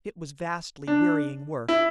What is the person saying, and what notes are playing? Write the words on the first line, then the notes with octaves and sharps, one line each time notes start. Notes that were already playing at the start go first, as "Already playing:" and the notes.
It was vastly wearying work.
D4
E4